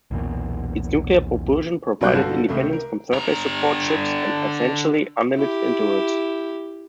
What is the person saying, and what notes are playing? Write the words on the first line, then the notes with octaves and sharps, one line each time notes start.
Its nuclear propulsion provided independence from surface support ships and essentially unlimited endurance.
B1 E2 A#2
B1 F#3 G3 F4 F#6 G6
G1 D3 F#4 A4 F5
C#2 C3 A3
A#4
D3 A#5
E4 G4